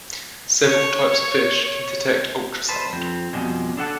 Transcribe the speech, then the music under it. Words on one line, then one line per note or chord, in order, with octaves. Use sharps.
Several types of fish can detect ultrasound.
C#5
B4 C5 A5
F2 C4
F2 B2 G3 G#3
D4 A4 F#5 A5